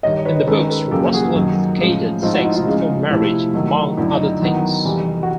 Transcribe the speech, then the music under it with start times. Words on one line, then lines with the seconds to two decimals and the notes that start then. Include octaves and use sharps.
In the books, Russell advocated sex before marriage, among other things.
0.03 G2 D#3 G3 C#5 D#5
0.25 B4 C#5
0.47 D#3 G#3 C#4 A4 B4
0.70 A4 B4
0.91 F#2 C#3 F3 A#3 G4 A4
1.13 F#4 G#4
1.35 F#2 D#3 F#3
1.79 A2 F3 G#3 C#4
2.22 G#2 F3 A3 C4 D#4 F4
2.33 E4 F#4
2.45 D#4 F4
2.56 D#4 F4
2.66 C#3 F3 G#3 C#4
3.10 C3 F3 A3 C4 E4
3.54 D#3 F#3 A3
3.97 F#2 D3 F#3 E4
4.14 D#4
4.20 E4
4.42 D#3 F#3 B3
4.85 F2 C3 E3 G3
5.23 F#4